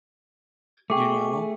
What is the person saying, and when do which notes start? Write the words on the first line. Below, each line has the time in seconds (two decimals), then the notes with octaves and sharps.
you know?
0.90 A3 G#4 G5 C#6 D6